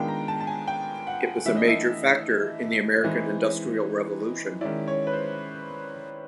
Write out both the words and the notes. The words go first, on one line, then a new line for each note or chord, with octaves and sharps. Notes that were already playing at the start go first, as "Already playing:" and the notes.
It was a major factor in the American Industrial Revolution.
Already playing: D#3 G#3 B3 D4 F4 G5
A#5
A5
A5
G#5
G5
F#5
E3 A3 D4 E5
D#5
E5
E3 G#3 C4 D#4
D#3 G#3 C#4 E4 D5
C#5
B4
C5